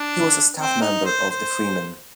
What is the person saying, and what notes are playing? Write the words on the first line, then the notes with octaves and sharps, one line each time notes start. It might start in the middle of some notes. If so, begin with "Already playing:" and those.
He was a staff member of "The Freeman".
Already playing: D4
C4
D#4
C5
C5